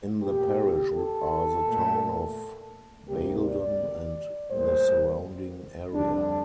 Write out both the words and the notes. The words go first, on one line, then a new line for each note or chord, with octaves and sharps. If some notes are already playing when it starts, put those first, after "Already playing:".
In the parish are the town of Baildon and the surrounding area.
A#2 A3 G4
A4
A#2 A3
D2 C3 G3 A#3 G4
D5
A2 G3 A#3 C5
F2 D3 G3 D4